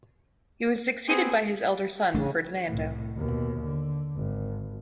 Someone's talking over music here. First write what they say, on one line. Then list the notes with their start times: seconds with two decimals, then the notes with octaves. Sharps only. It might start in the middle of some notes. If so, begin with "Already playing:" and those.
He was succeeded by his elder son, Ferdinando.
1.08 B3 C4 G#4
2.14 A1 C#3 A3 D4
2.67 C2 A2
3.17 D#2 B2
3.64 D3
4.16 G#1